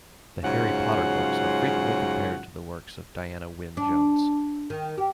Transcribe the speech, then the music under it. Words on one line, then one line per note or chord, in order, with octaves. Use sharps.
The "Harry Potter" books are frequently compared to the works of Diana Wynne Jones.
G#2 C#3 F#3 F4 F#5
D4
D#3
G4